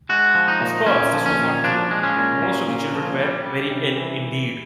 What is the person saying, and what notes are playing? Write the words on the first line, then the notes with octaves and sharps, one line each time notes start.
Of course this was not true, most of the children were very ill indeed.
G#3 F#4
F3
D#4
A#2
A#2 C#4
F3
C#4
A#2
F3 D4
G#3
C#4
A#2
A#2
A#2
F3
G3
G3
C3
E3